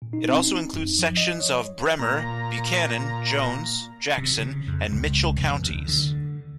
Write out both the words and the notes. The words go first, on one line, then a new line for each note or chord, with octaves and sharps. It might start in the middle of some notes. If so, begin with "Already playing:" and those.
It also includes sections of Bremer, Buchanan, Jones, Jackson, and Mitchell counties.
A#2
D#4
C4
D#4
F#2
F3
D#5
C#5
A#2 A#5
C3
C#3
F2
C#2
F1
D2
D3